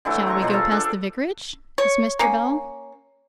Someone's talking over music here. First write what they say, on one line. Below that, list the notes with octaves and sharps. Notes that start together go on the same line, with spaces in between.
'Shall we go past the vicarage?' asked Mr. Bell.
D3 E3 F#3 A3
C5 C#5 A#5 C#6
B2 F3 C5 A#5
G#4 A4 F5
D4 A4
C#5
A#3 C#4